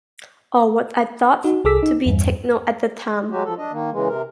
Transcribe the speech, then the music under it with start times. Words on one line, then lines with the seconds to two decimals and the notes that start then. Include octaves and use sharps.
Or what I thought to be techno at the time.
1.44 D#4 F#4
1.65 C2 G#4 A4 D6 E6 B6
1.83 D#4
2.06 E2 G2
3.31 F#3 G#3 F#4 G4
3.44 F3 A4
3.58 D4 D#5
3.72 D#3 A#3
3.92 C#3 E3 G#3
4.08 C3 A#4